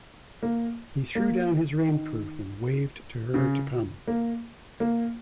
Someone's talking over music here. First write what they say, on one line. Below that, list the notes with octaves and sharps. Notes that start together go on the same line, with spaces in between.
He threw down his rainproof and waved to her to come.
A#3
A#3
D#3
C#3
A#3
A#3